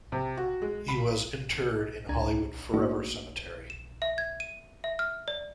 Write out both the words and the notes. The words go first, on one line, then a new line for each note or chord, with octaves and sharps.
He was interred in Hollywood Forever Cemetery.
C3
F#4
G#3
B5
C#2 D4 A#5 G#6
A3 A#3 D4 D#4 F#4 D5
E7
E5
G#6
D#7
E5
F6
D5